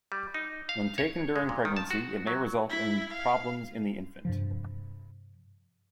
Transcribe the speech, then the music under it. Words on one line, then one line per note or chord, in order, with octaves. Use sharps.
When taken during pregnancy it may result in problems in the infant.
G3
D#4
F5
C#5
G#3
A#2
D#3
A5
F#4
F#3
E4 E5
F5
G2 C3 F3